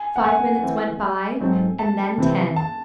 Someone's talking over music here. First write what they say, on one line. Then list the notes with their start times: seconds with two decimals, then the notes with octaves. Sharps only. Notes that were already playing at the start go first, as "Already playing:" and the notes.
Five minutes went by and then ten.
Already playing: G#5
0.16 F#5
0.24 G#5
0.63 E3 A3 C4
1.41 G#2 F#3 C4 D#4 A4
1.79 A5
2.18 C3 E3 C4 E4
2.56 A5